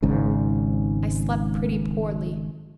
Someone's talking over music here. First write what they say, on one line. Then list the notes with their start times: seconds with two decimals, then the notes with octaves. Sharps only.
I slept pretty poorly.
0.03 G#1 G#2 C#3